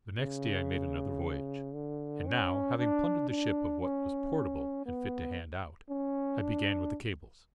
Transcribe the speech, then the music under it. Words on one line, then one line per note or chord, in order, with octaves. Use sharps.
The next day I made another voyage, and now, having plundered the ship of what was portable and fit to hand out, I began with the cables.
C#3
D3
C#4
D4
D4
C#4
B3
C#4
D4